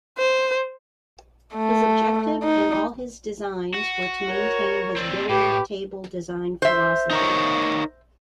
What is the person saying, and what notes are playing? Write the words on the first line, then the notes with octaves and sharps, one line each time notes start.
His objective in all his designs were to maintain his "billiard table" design philosophy.
C5
A3
D#4
F#4
A#4 C#5
C4 D4
A2 G4 B4
C5 E5
D#4 A#4 C#5